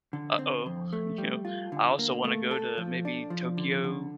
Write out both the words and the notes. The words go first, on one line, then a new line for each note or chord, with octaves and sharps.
"Uh-oh," you know, I also wanna go to maybe Tokyo
D3
C4
F2
A3
G3
F4
D3
A#3
A3
A4
F3
D4
F3
D3
D3